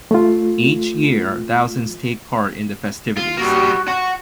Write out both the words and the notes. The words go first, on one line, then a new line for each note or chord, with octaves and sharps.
Each year, thousands take part in the festivities.
A3 F4
F4
G3 A#3 F#4
F#4 C#6